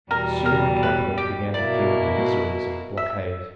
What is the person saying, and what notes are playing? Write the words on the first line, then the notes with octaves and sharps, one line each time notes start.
Soon the capital began to feel the miseries of a blockade.
E2 B2 G3 A#4
A#4
B4
G4
B2 F#3 A#3 E4 D5
E5